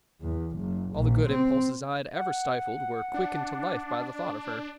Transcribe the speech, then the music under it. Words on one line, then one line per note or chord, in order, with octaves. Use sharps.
All the good impulses I had ever stifled were quickened to life by the thought of her.
E2
F#1
A#1
C4
F#5
D4